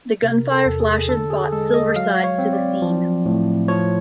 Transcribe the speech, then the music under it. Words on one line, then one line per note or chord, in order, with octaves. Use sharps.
The gunfire flashes brought "Silversides" to the scene.
C3 A#4
A4
E2
G#4
D3 A4
G#4
G#3 A4
D#5
F#3 F5
C#5
C4
D5
F3
A2
F3 C#5